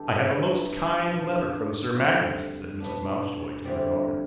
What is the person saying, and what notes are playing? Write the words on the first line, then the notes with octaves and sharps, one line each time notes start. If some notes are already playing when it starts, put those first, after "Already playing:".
"I have a most kind letter from Sir Magnus," said Mrs. Mountjoy to her daughter.
Already playing: E2 D3 G3 D4 G4 A4 B4
G2 E3 B3 D4 B4
B2 B3 D4
F2 D3 G3 C5
B2 B3 D4
E2 D3 G3 C4 D5